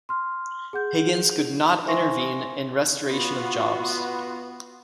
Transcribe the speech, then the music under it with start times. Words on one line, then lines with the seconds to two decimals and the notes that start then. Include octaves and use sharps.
Higgins could not intervene in restoration of jobs.
0.09 C6 F6
0.73 G#4 F#5 G6
1.86 C5 E5 G#5 C6 C#6 A#6
3.09 B3 F4 F#4